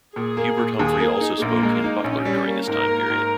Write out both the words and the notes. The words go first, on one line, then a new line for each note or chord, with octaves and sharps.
Hubert Humphrey also spoke in Butler during this time period.
A#2 G#4
A#3
A#2
D#2 G#4
A#3
D#4
A#1 A#3
G#3
D#4
A#1 C#4
G3
A#3
G#2 A#4
A#3
G#2